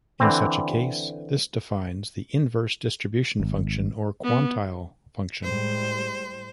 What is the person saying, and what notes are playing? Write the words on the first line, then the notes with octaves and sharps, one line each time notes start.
In such a case, this defines the inverse distribution function or quantile function.
D3 E3 C4
G#1
B3
A2 G3 G#3 C5